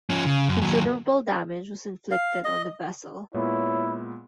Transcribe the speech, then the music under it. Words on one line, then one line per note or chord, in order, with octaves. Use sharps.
Considerable damage was inflicted on the vessel.
F3 C#4
C#3
F#2
D#2 F#3
F5
D#5
A#2 G#3 B3 E4 C#5